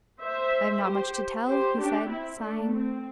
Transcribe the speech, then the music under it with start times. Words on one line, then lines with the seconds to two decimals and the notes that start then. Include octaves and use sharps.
"I have not much to tell," he said, sighing.
0.21 C5 E5
0.84 G4 C5
1.47 G4 C5
1.79 D4 G4
2.10 C4 E4
2.42 A3 D4
2.74 C4